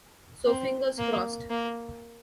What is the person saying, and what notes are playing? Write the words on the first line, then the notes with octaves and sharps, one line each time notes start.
So fingers crossed.
C4
A#3
A#3